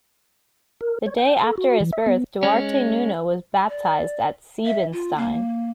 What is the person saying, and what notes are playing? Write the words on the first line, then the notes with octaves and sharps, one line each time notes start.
The day after his birth, Duarte Nuno was baptised at Seebenstein.
A#4
C#5
G5
A4
F#4
E3
E5
B3
G#3 C#4
D5
E5
F4
A#3